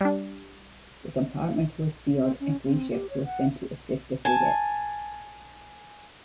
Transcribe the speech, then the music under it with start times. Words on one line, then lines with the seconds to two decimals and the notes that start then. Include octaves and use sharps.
The compartments were sealed and three ships were sent to assist the frigate.
0.01 G3 D4
2.16 C4
2.40 C#4
2.64 C4
2.91 G4
3.10 C#5
3.25 F#5
4.25 G#5 A5